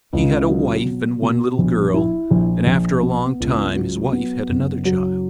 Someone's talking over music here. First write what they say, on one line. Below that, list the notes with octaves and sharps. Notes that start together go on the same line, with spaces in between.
He had a wife and one little girl, and after a long time his wife had another child.
C#2
F#3
B2
B2
A#1
E4
A#1
A#1
B3
C#2
F#3
B3
F#1
F#3